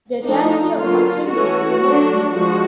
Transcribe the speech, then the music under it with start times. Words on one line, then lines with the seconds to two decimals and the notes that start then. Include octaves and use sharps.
The reality of country music moved me.
0.24 F3 A3 D4 D#4
0.77 D3 F#3 A#3 C#4 F4
1.29 E3 A3 C#4 F#4
1.82 F#3 A3 D4
2.34 F3 G#3 F#4